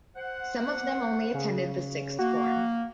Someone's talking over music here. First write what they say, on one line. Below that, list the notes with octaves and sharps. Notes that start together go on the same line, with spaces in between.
Some of them only attended the sixth form.
C5 F#5
C#3
A#3 F#4